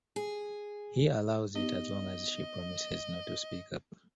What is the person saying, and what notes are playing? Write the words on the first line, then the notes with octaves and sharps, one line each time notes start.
He allows it as long as she promises not to speak up.
G#4
B3 D#4 G4 D#5